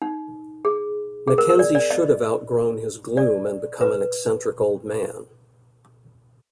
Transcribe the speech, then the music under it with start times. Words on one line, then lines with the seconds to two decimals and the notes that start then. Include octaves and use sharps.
Mackenzie should have outgrown his gloom and become an eccentric old man.
0.02 D#4
0.65 G#4
1.28 G#4
1.38 A#4
1.49 A#4
1.59 D5
1.75 D5
1.91 D#5
3.17 D5
3.81 B4